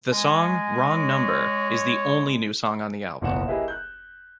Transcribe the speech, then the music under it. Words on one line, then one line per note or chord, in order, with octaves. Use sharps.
The song "Wrong Number" is the only new song on the album.
G#3 G#5
C#5
C#5
F#1 B1 E2 A#2 F#5 E7
A#3 E4 G4 G#4 B4 D#5
F#6 G6